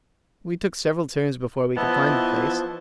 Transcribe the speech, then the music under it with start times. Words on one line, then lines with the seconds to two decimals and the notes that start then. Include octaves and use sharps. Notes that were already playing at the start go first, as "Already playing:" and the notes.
We took several turns before we could find the place.
1.77 E3 F3 B3 E4 C5 D#5 A5